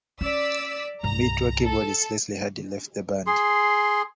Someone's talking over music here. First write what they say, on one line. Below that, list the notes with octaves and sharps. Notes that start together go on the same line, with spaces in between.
Mid-tour, keyboardist Leslie Hardy left the band.
C#4 D5 E6 B6
C2 G2 A#5
A4
G#4 C6